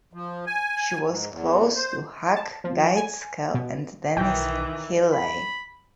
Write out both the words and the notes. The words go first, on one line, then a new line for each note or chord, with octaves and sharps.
She was close to Hugh Gaitskell and Denis Healey.
F3
G#5
G#2
E2
C5
A5
F3
G#5
B2
B1 D#3 E3 G5
B5